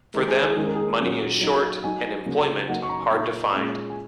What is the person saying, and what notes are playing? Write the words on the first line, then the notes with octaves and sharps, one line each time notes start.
For them, money is short and employment hard to find.
D#3 G#3 D#4 A#4
G#4
G#4
D#3 G#3 C#4 G#4
A#4
G#4
A#2 F#3 A#3 C#4
F#3 D#4
F#3 D#4 G#5
C#3 F#3 A#3
F#3 A#3 D#4 F#5
C#6
A#5
C#6
A#2 A#3 D#4
A#2 G#3 C#4
G#5